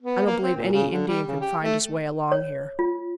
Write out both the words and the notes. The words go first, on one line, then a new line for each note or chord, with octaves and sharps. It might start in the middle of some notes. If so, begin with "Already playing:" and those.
"I don't believe any Indian could find his way along here."
B3
A#3
C4
A#2
C#3
D3
G3
C#3
G4
A3
C#5
F4